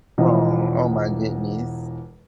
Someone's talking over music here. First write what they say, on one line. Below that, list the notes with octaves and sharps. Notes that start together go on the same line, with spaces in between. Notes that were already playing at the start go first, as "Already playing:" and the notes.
strong oh my goodness.
E1 E2 F3 D#5